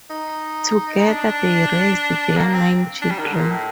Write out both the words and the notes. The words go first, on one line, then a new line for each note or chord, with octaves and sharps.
Together they raised their nine children.
D#4
D4
A#3
C4
D4
G3
D#3
D3
A#2
A2